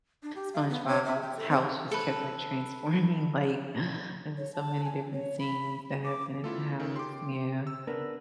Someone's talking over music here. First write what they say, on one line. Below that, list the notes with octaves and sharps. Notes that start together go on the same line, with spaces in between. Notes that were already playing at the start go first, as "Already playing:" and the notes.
SpongeBob's house just kept, like, transforming, like it was so many different scenes that happened at the house, yeah.
D4
G4
F5
B3
C#5
E5
G5
A4
C4
A4 B4
C#5
A5
G#5
C#5
B5
D6
A3 B3 E4 F4 A4
D#3 A4
G4 C6 D6
E6
C#3 B3 D4 A#4 B4